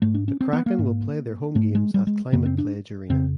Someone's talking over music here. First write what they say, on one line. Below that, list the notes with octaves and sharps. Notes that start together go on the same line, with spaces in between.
The Kraken will play their home games at Climate Pledge Arena.
G#2 A3
D4
C#4
C4
B3
A#3
G#2
G#2 A3
G#3
G3
G#3
F#2 C#3 A#3
C4
D4
F2 C#3 C4